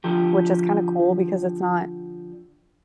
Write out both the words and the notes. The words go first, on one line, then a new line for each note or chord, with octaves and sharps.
which is kinda cool because it's not
D3 F3 G4